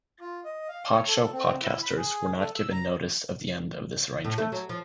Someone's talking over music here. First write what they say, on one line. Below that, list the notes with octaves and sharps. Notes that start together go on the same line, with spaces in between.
Podshow podcasters were not given notice of the end of this arrangement.
F4
D#5
F5
C#5
A4
C4
E4
B5
G#4
A4
E6
A#5
A2
A3
F#3
F3